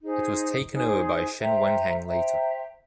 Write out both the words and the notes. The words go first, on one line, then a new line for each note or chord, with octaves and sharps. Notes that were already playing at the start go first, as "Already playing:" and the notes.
It was taken over by Chen Wenheng later.
D#4 G#4 C5
D#4 G#4 C5
C5 E5 G5 A#5
C5 E5 G5 A#5